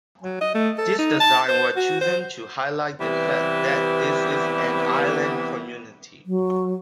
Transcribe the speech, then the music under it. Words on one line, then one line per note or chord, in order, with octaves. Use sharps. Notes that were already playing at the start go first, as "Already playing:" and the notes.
This design was chosen to highlight the fact that this is an island community.
F#3
D#5
A3
A4
D#4
A5
C5
F#4
C5
C3 E3 G3 B3
F#3